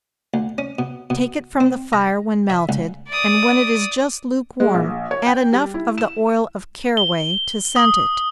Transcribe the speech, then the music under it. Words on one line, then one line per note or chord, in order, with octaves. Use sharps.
Take it from the fire when melted, and when it is just lukewarm, add enough of the oil of caraway to scent it.
D2
C#4
B2
B2
C4
A#5
E5
C#2
D5 D#6
G#3
A#1
C#5
G5
G3
E4
E7
G7
D#6